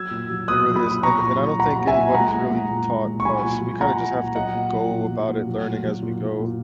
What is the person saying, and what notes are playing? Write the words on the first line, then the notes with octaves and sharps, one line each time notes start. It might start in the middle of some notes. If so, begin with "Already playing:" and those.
It really is, and and I don't think anybody's really taught us, we kinda just have to go about it learning as we go.
Already playing: F#3 E6 G#6
A#2
F#3
A#2 D#6 F#6
F#3
B5 D#6
A#2
F#3 A#5 C#6
A#2
F#3
A#2 F#5 A#5
F#3
E5 G#5
A#2
G#3 F#5 A#5
A#2
G#3
A#2
G#3
A#2
C#6
F#3 G#5 B5
A#2
F#3
A#2 F#5 A#5
F#3
A#2
F#3 D#5 F#5
A#2
F#3
A#2
F#3
A#2
F#3
A#2
F#3
A#2
F#3
A#2